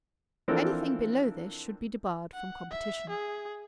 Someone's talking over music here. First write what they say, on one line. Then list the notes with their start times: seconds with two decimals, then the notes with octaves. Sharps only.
Anything below this should be debarred from competition.
0.48 E3 F3 C4 D4 A4 A#4
2.33 F#5
2.70 E5
3.09 G#4